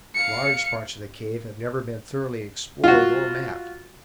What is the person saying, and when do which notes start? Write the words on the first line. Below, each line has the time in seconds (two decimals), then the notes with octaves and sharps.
Large parts of the cave have never been thoroughly explored or mapped.
0.15 F5 C#7
2.84 F4 F#4